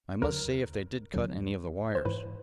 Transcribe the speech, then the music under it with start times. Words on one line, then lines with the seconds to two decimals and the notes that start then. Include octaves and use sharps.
"I must see if they did cut any of the wires."
0.22 D#2 D3 F#3 A#4
1.14 D#2 D3 F#3
1.95 C5
2.05 G#2 E3 B4